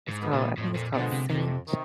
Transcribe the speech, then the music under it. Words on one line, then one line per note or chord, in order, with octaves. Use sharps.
it's called I think it's called Saint
G#2
D3 F3 G#3 B3
A#2
F2 A2
A#2
B2 D3 F3 G#3 B3
C3
F2 C3
C3 D#3